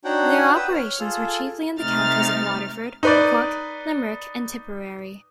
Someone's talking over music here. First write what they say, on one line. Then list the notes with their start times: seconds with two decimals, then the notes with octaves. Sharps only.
Their operations were chiefly in the counties of Waterford, Cork, Limerick, and Tipperary.
0.05 D4 D#4 F#4 C#5 F#5 G5
0.55 B4 G5 D#6 E6
0.74 C#5 F6
1.00 F4 G#4 A4
1.79 C3 A3 D#4 F6 A6
3.03 D#4 B4 D5